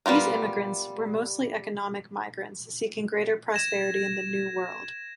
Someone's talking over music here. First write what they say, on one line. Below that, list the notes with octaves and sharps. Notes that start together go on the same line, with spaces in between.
These immigrants were mostly economic migrants seeking greater prosperity in the New World.
G3 B3 F4 A#4
G#6 A#6 E7